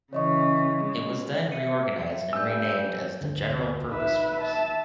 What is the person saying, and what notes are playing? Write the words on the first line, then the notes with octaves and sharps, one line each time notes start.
It was then reorganized and renamed as the General Purpose Force.
C#3 E3 C#5 D#5 C#6
G#3
E5 C#7 D#7
G2 G#5 E6 G6
D2 G2 D3
A#1 D#4 B4 E5
E5 A5